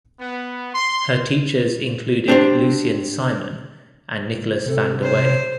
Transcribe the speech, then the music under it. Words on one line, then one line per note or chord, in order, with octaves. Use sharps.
Her teachers included Lucien Simon and Nicolaas van der Waay.
B3
C6
C4 D4 G4 C5
C3 A4
C5 C#5